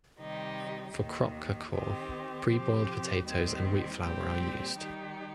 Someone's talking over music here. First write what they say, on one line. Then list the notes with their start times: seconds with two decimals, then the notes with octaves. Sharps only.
For kroppkakor, pre-boiled potatoes and wheat flour are used.
0.20 C3 D#3 G3 D#4 G4
0.95 D#2 D#3 A#3
1.73 D#3 C4 G4
2.48 C3 F3 C4 G4
3.24 D#2 D#3 G3 C4
4.00 A#2 G3 C4 G4
4.78 D#3 G3 D#4 G4